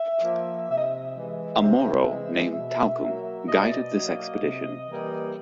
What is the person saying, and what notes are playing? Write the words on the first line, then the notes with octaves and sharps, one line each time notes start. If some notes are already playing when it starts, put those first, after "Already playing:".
A Moro named Talcum guided this expedition.
Already playing: E5
F3 A#3
C3 E5
D#5
E5
E3 G#3
C3
E3 G#3
B2
F#3 A#3
B2 D#5
D5
D#5
F#3 A#3
C3
E3 G3 A#3